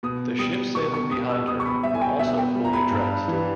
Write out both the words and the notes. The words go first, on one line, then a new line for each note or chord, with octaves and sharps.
The ships sailing behind her were also fully dressed.
B2 D#6
G3 D#6
B2 C#6
C#6
G3 D#6
E6
B2 D#6
C#6
B5
G3 E5
G#5
G5
B2 E5
G5
G3
A#5
B5
G2
E3 G3